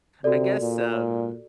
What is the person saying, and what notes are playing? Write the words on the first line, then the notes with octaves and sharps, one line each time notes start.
I guess, um
C3 F#4 A4 D5
A#2